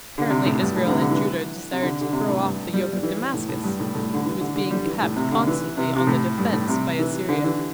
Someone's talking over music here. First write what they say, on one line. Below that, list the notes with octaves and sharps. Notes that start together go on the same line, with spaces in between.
Apparently Israel and Judah desired to throw off the yoke of Damascus, which was being kept constantly on the defence by Assyria.
D3
C3
A2
G2
A2
D3
C3
D3
E3
C3
D3
D3
C3
A2
G2
G3
G3
E3
A2
A2
G2
A2
A2
D3
E3
D3
D3
G3
E3
A2
C3
D3
E3
C3
C3
A2
G2
A2
C3
E3
D3
E3